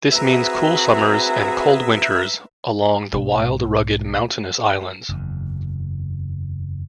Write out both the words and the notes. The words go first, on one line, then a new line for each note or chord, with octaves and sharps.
This means cool summers and cold winters along the wild, rugged mountainous islands.
C4 F#4 G#4 B4 E5 A#5
B1 G#2
F#1 E2